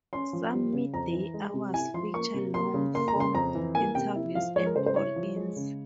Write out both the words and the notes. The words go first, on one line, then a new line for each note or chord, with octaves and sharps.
Some midday hours feature longer-form interviews and call-ins.
C#4 C6
F3
G3
C#3
F2 A#5
E3
G#3
C3
E4 G#5
F3 C6
A#3 C#6
C3
A#3 C6
C#3
A#3 C6
A#5
C#3
C6
F2 A#5
E3
A#3 G#5
C3 G5
E4
F3 F5
G#3 C#5
A#4
C#3 C5
C5
E4 C#5
F3
G#3
C#3